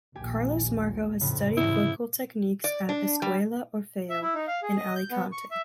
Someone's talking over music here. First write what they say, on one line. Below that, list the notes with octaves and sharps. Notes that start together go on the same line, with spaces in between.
Carlos Marco has studied vocal techniques at "Escuela Orfeo" in Alicante.
A#1 D#2 G4 G#5
F2 A2 C#3
G#2 C3 E3 E4
D5
D4
G3
E5
E4
D#4
F5
G#4
D#5
G6
B3
C#6
E5